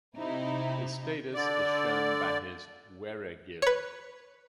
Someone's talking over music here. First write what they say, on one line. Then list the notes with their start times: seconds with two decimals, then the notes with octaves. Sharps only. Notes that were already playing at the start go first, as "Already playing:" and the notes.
His status is shown by his "weregild".
0.16 C3 D#4 E4
1.34 D3 D5
3.62 B4 C#5